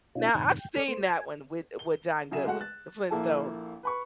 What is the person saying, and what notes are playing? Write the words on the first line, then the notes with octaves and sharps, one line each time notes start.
Now, I've seen that one with with John Goodwin, the Flintstones.
B2 C#4 D#4 F4
F#2 A2 C3 D#3
G5
A4 D5 F6
A3 C5
G#5
G7
C#3 F#3 G#4 E5 E7
G#3 A3 F#4 F#5
F#6 A6
A#1 A#3 E4 A4 A5
B4 B5 C#6